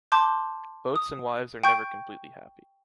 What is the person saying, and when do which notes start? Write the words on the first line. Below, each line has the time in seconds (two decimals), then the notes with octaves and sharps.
Boats and wives are never completely happy.
0.12 A5 C6 D6 G6
0.96 D#6
1.64 G5 C#6 G6